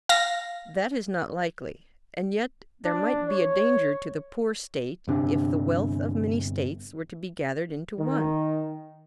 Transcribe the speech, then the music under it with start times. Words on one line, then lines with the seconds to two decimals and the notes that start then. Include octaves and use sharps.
That is not likely; and yet there might be a danger to the poor State if the wealth of many States were to be gathered into one.
0.09 F5 A#6
2.85 D4
3.29 C#5
5.08 G1 C3 D4
7.99 D#3